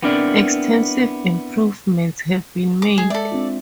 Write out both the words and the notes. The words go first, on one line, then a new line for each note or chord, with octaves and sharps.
Extensive improvements have been made.
B3 C4 D4 E4 A#4 D5
D6
G#3 G#4
A4 D5 E5
C4 D4 F4